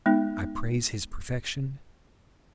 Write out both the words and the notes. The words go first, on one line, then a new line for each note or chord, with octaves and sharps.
I praise his perfection.
G#3 B3 D#4